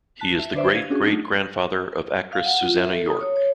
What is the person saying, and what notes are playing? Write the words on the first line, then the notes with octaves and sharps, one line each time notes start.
He is the great-great grandfather of actress Susannah York.
A5 F#6 B6
E5
D3 D4 B4 C5 D5 E5
F5 G#6 D#7
C#4 D4 F#4 G#4
F#3 A3 D4 D#4 F4
F5
F#5
F4
E5
A4
D#6
C#5
C#5